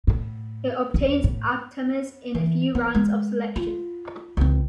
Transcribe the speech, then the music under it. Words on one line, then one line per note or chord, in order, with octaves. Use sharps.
It obtains aptamers in a few rounds of selection.
A2
E2
A2
E3
B3
G#3
F4
C#2 C4